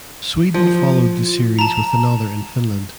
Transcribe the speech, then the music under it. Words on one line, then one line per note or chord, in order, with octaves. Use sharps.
Sweden followed the series with another in Finland.
F3
A5 A#5